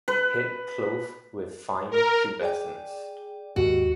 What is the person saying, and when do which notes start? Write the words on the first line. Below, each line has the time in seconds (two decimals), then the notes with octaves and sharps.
Head clothed with fine pubescence.
0.08 B4
1.91 A#4
2.41 G#4 D5 G5
3.56 D#2 G#2 F#4 G4